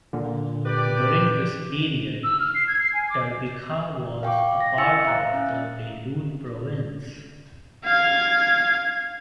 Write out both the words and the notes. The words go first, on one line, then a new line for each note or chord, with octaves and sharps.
During this period Tarbikha was a part of the Beirut province.
A#2 D3
G4 B4 D5
E6
F6
C7
G#6
C7
G#5
D6
F5 G5 C#6 D6
A#6
E4 G#5 E6 A6 C#7
E5 F5 A#5 F#6
C#4
F5 G#6